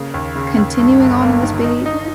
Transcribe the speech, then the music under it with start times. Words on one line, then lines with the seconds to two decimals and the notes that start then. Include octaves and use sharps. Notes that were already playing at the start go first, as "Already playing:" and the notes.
continuing on in this behavior,
Already playing: C#3 A#3
0.14 D#2
0.36 C#3
0.57 D#2
0.78 G2
1.00 G1
1.21 A#3
1.42 D#3
1.64 D#4
1.86 D#4